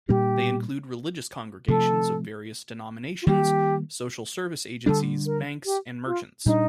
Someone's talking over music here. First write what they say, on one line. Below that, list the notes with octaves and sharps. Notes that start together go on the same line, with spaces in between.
They include religious congregations of various denominations, social service agencies, banks, and merchants.
A#2 G3 A#3 D4 G4
C3 F3 A3 A4
F4
D#3 G3 A#3 G4
D3 G3 D4 A4
A#4
G4
F4
A#2 G3 D4 D#4